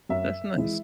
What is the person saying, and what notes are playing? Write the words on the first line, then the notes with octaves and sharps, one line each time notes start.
That's nice.
F#2 E5
E3 G#3